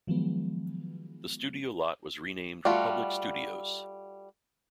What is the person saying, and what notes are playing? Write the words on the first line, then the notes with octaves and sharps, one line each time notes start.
The studio lot was renamed Republic Studios.
D#3 F3 F#3 G#3 B3
G3 A3 F4 F#4